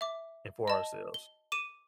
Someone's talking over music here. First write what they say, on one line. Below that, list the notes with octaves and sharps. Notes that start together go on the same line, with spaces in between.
and for ourselves.
E5 D6
D#5 A5
G7
D6 D#7 E7